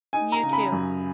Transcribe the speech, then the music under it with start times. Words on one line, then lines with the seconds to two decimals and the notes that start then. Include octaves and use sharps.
You too.
0.13 D#4 G#5
0.32 A#5
0.43 C#3
0.53 B5
0.72 F#2